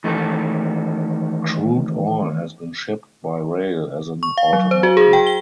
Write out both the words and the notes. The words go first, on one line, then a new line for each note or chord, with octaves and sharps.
Crude oil has been shipped by rail as an alternative.
D#3 E3 A3 G4 A4
C#6
F5
F#3
C5
F#4
G#4
G5
G7